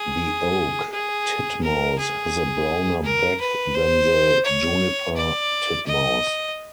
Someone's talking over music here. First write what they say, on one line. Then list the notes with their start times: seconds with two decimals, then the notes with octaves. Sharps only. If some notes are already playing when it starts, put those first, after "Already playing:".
The oak titmouse has a browner back than the juniper titmouse.
Already playing: G#4
0.92 G#4
1.63 A#4
1.99 G#4
3.04 A#4
3.40 B4
3.74 C5
4.45 C#5
5.16 D5
5.86 D#5